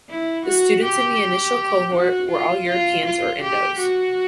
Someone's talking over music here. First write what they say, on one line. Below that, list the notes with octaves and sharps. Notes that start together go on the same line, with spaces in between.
The students in the initial cohort were all Europeans or Indos.
E4
F#4
G4
F#4
F4
F4
F4
G4
F#4